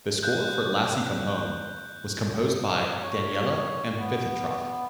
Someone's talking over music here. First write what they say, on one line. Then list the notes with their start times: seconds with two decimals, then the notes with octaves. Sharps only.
The score for "Lassie Come Home" was composed by Daniele Amfitheatrof.
0.23 F#6 G6
3.03 C#5
3.99 B3